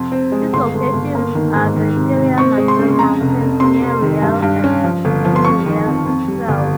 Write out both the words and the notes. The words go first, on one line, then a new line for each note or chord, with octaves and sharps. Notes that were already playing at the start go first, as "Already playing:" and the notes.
Its locations are the Sierra Madre mountains near Real and in Real itself.
Already playing: F2 C3 C6
C4
G#3
G1 C6
G1
G1
A#3
D#3
G#2
D#3
C3
C3
C4 C#6
G#3
C6
C#3
F2 A#5
F1
F1
C3 C6
C3
D#3
G2
G2
C#4
F3
G1
F3
C6
F2 C#6
D#3
F2
F2
G3
G1